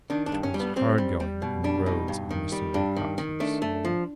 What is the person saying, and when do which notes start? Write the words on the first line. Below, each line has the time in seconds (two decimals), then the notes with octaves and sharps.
It was hard-going in the roads of Mr. Wilcox's soul.
0.10 D#3 D4
0.26 D4
0.32 G2
0.43 C#4
0.54 G3
0.60 B3
0.76 G3 C4
0.98 G3
1.20 G3
1.42 B2
1.64 G3 D4
1.86 B2 D#4
2.08 G2
2.31 D#3
2.52 G3
2.74 G2 D4
2.96 D#3
3.18 D#3
3.40 A3 D4
3.62 A3
3.85 F3